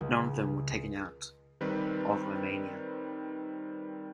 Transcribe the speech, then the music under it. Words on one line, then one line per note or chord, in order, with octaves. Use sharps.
None of them were taken out of Romania.
C#2
D#3 G3 C4 B4